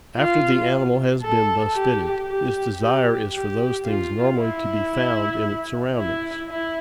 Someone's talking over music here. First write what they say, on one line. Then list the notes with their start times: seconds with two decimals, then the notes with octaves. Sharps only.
After the animal has been thus fitted, its desire is for those things normally to be found in its surroundings.
0.17 F4
1.23 A4
1.75 G4
2.28 G4
2.80 G4
3.34 G4
3.86 F4
4.39 E4
5.97 E4
6.49 E4